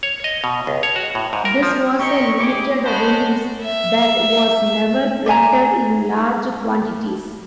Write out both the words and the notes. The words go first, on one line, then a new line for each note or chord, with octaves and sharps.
This was a limited release that was never printed in large quantities.
C#5
D#5
B2
C#2
C#5
F#4
A2
G#2
A#4
F3
D#4 G4 C6 C#6
E4 G4 G#4 D6
G#3 B3 C5 C#5 A5 B5
E5
D5 E5 G#5 A#5